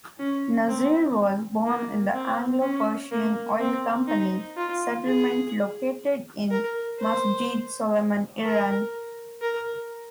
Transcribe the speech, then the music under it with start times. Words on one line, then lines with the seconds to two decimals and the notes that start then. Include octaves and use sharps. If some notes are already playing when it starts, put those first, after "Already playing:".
Nasseri was born in the Anglo-Persian Oil Company settlement located in Masjed Soleiman, Iran.
0.20 C#4
0.68 C4
1.66 A#3
2.14 C4
2.62 C#4
3.11 A#3
3.59 C4
4.08 D#4
4.57 F4
5.05 G#4
6.51 A#4
6.99 C5
8.45 A#4
9.42 A#4